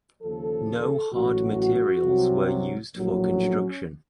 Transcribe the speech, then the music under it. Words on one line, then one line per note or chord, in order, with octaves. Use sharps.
No hard materials were used for construction.
D#2 C#3 F3 A4
A1 A2 F#3 F#4
C2 C3 F#3
A#1 A2 F#3
C#4